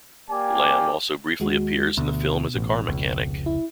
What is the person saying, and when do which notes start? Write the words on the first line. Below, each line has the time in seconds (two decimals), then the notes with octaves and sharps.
Lam also briefly appears in the film as a car mechanic.
0.30 A#3 G4 D5 G#5
1.40 D#2 G#3 F#4
1.97 D2 B2
2.55 A1
2.88 F1 C#2
3.46 E4